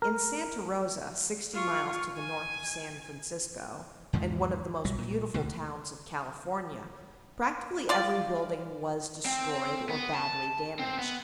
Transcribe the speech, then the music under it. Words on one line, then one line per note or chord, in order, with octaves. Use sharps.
In Santa Rosa, sixty miles to the north of San Francisco, and one of the most beautiful towns of California, practically every building was destroyed or badly damaged.
A#4
F4 C#6
G#5
E2 G#2 D#3 F3
B1 F#3 G3
A#2
D2 B2 D3
F4 D5
C4
B3
A5
C4
B3